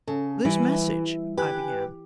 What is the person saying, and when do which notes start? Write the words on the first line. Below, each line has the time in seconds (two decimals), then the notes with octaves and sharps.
"This message," I began...
0.08 C#3 A4
0.45 E3 G3 E5
1.37 G4 B4 G#5 F#6